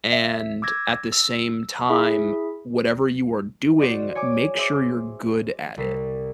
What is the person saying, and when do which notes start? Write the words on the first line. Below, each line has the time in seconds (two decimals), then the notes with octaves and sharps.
and at the same time whatever you are doing, make sure you're good at it."
0.13 E5
0.62 D6 E6 G#6 A#6
1.12 E6
1.90 E4 G#4 E5
3.79 F#4 C5 D5 D#5
4.15 C#5 G#5 C#6 D6
4.56 G#4 C5 E5 D6
5.77 C2 B6 C7